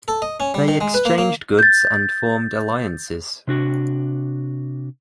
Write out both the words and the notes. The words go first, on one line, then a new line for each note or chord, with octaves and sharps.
They exchanged goods and formed alliances.
A4
D#5
C#4
G3
D#3
G#3
B4
A#3
A#3
G6 A6
C3 D4 F#4